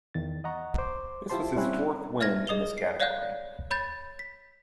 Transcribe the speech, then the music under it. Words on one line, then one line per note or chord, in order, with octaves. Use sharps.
This was his fourth win in this category.
E2 D#3 A6
D#5 F#5 A#5 C#6
C5 D6
E4 F4 G4 C5 A5 C6
G3 C4 C#4 E4 G#5 F#6
E5 F6 G#6 A#6
G#4 D#5 D#6 F7 G7
C7
C#5 D5 F5 F#5 F#6 G6
C#5 B5 G6 A6
B6